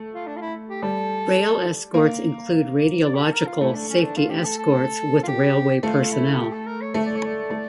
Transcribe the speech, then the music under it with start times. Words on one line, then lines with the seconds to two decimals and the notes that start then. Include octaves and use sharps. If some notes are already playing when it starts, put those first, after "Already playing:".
Rail escorts include radiological safety escorts with railway personnel.
Already playing: A3
0.14 F4
0.27 D4
0.37 F4
0.41 E4
0.69 G4
0.82 G3 A4
1.94 A#3
3.05 D5
3.15 G4
3.24 A4
3.33 A#4
3.46 F4
3.61 A3 E4
3.74 D4
3.89 C#4
4.03 D4
4.17 F4
4.30 G4
4.44 A4
4.59 A4
5.23 F4
5.28 G4
5.83 A3 F4
6.11 E4
6.39 G4
6.52 A4
6.66 A#4
6.81 C#5
6.94 A3 E5
7.06 D5
7.16 C#5
7.26 D5
7.51 A3